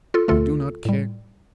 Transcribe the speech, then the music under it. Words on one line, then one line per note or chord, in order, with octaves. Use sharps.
We do not care.
F4 A4
D2 D3 A3 F4 A4
A2 G3